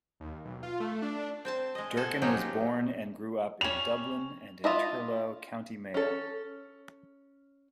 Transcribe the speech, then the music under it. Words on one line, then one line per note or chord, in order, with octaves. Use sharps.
Durcan was born and grew up in Dublin and in Turlough, County Mayo.
D#2
B1
F4
A3
D4
C4 C5 A5
G#3 D#5
B3 A4 C5 G#5
F3 F#3 G#3 C#4 D#4 G4
G3 C#4 F7
D4 E4 F4 D#5 E5
C#4 A4